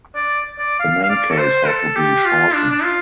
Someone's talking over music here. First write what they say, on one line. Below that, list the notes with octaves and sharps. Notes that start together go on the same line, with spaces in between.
The main case had to be shortened.
D5
D5
F5
F5
D5
A4
C5
A4
G4
F4
D4
D4
F4